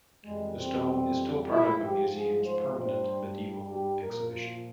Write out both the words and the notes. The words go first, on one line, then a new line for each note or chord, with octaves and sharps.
The stone is still part of the museum's permanent medieval exhibition.
F2 E3 G3 G#3
C4
G#2 F3 E4
G4
G#4
C5
G2 G3 C5
G4
A#2 F3 A#4
F4